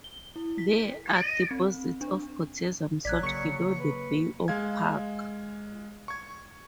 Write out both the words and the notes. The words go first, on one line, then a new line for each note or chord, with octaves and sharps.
There are deposits of potassium salt below the Bay of Puck.
G7
E4
B6
C4
D4
A#1 F#3 D5 F#6 G#6 B6
C#3 A#3 C#6 C#7
B4
G#3 F5 G#6
C#6 G#6